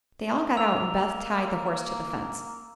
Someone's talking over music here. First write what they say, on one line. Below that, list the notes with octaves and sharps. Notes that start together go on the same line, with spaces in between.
They all got out and Beth tied the horse to the fence.
A#3 A#5 E6 F7